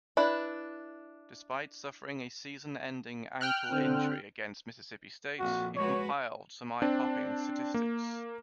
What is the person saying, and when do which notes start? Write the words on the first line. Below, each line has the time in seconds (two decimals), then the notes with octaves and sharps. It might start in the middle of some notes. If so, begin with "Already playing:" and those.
Despite suffering a season-ending ankle injury against Mississippi State, he compiled some eye-popping statistics.
0.17 D4 E4 B4
3.41 G5 F6 F#6
3.71 D3 C4
5.39 F2 A#2 F#4
5.76 G#3 F#4 B4 C#5
6.82 C4 D4
7.74 A#3